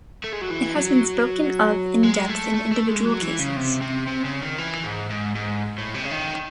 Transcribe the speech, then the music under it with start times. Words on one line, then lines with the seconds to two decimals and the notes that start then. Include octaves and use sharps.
It has been spoken of in depth in individual cases.
0.24 A3
0.32 G#3
0.41 F#3
0.50 E3
0.76 F#3
2.03 G#3
2.29 A3
2.54 A3
2.72 A3
2.89 G#3
3.05 F#3
3.22 E3
3.39 C#3
3.56 C3
3.82 C3
4.07 C3
4.25 C#3
4.42 D#3
4.58 E3
4.84 G#2
5.10 G#2
5.35 G#2
5.78 A2
5.95 C3
6.04 C#3
6.11 D#3